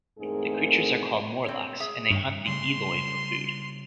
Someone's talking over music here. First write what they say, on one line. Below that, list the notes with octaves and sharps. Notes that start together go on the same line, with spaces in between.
The creatures are called "Morlocks" and they hunt the Eloi for food.
E2 G#2 A3 C4 G#4 A#4
C4 C#5
G#3 G#4 E5
G2 D#3 C#5
C#3 G3 A3 C6